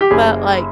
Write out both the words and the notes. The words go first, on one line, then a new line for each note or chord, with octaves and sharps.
But, like,
G4
F#1 G#4